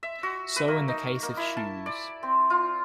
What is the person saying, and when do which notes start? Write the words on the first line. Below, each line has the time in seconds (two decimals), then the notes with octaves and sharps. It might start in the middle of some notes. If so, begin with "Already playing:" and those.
So in the case of shoes.
0.03 E5
0.23 F#4
0.56 B4
0.68 A#3
0.88 D#4
1.23 A#3
1.37 E4
1.57 A5
1.86 D5
2.23 C4
2.50 F4